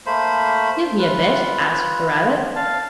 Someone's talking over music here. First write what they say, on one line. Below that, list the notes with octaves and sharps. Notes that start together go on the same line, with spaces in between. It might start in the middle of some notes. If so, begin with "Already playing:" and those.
'Give me a bit,' asked the rabbit.
A3 A#3 C5 B5
F4 B4
F5 A5